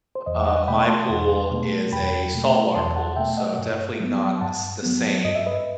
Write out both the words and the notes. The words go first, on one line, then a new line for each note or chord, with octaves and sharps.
Um, my pool is a saltwater pool, so definitely not the s the same,
C5
E2 D#5
E5
D#5 F#5
B2 A3 G5 B5
A5 C6
E2
B2 A3
E2 G5 B5
B2 A3
E2 A5 C6
F#5 A5
B2 A3 E5 G5
D#5 F#5
G2
F#3 B3
G2 F#5 A5
F#3 B3
G2 D#5
E5
B4 D#5